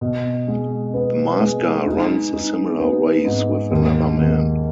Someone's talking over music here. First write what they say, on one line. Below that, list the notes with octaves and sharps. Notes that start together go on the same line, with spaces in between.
The masker runs a similar race with another man.
B2
G#3
B3
G#3
D#4
D#4
B3
G#2
D#2
D#2